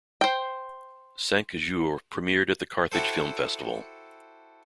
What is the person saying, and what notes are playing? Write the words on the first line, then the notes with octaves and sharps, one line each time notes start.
"Cinq Jours" premiered at the Carthage Film Festival.
C5 G5
E4 F#4 G4 A4 C5